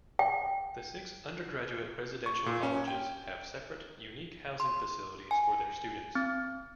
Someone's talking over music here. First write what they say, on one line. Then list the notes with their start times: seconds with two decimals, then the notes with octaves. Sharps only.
The six undergraduate residential colleges have separate, unique housing facilities for their students.
0.19 G5
2.26 C#6
2.46 A#2
2.63 C#4
2.87 G5
4.60 C6
5.31 G#5
6.15 C4